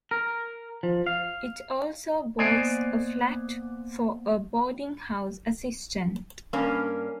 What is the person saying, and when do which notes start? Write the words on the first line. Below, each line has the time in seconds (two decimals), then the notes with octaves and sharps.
It also boasts a flat for a boarding house assistant.
0.11 A#4
0.83 F3
1.07 F5
2.38 A#3 B3 C5 D5 D#5 G#5
6.53 G2 A#3 C#4 A#4